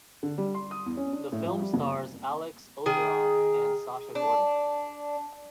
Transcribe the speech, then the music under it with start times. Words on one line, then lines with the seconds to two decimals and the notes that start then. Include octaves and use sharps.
The film stars Alex Ozerov and Sasha Gordon.
0.23 D3
0.38 G3
0.54 C6
0.71 D#6
0.86 E2
0.97 C#4
1.13 D4
1.32 A2
1.45 F3
1.62 G3
1.73 F#1
2.86 D#3 G#4
4.15 D4